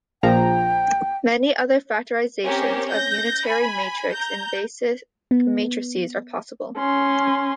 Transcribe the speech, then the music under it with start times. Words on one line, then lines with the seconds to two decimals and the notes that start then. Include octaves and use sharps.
Many other factorizations of a unitary matrix in basic matrices are possible.
0.23 A#1 F3 G5 A#5
2.45 C4 C#4 G4 A#4
2.92 G6 A#6
3.46 G#5 B5
4.13 A#5 G6
5.31 B3
6.77 C#4 C6